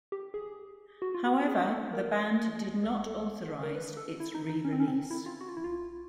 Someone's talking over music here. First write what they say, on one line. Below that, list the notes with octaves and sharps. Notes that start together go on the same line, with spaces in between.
However, the band did not authorize its re-release.
G4
G#4
F#4
F4
F#4
G#4
A4
A#4
A4
A4
A#4
B4
A4
E4
D#4
D#4
C#4
C4
C#4
C4
E4
F4
F#4
F4
E4
F4